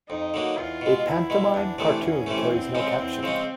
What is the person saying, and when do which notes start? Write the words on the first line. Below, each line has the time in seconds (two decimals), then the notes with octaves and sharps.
A pantomime cartoon carries no caption.
0.10 F2 D#4
0.34 D3 F#3 A#3
0.57 E2 F4
0.81 B2 G#3
1.06 E2 E4
1.30 B2 G#3
1.54 E2 D4
1.78 C3 E3 A3
2.02 E2 C#4
2.26 C3 E3 A3
2.50 E2 C4
2.75 C#3 F3 G#3 C#4
2.99 E2
3.23 C#3 F3 G#3 C#4